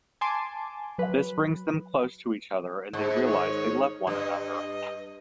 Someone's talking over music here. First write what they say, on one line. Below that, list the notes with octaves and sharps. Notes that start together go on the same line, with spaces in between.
This brings them close to each other and they realize they love one another.
G#5 A5 C6 D6
F#3 B4
G#2
D#3 C#5
G2 D#5